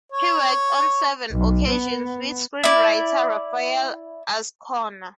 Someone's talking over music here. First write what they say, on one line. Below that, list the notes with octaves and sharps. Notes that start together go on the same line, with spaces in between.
He worked on seven occasions with screenwriter Rafael Azcona.
C#5
B1
B3
E4 D5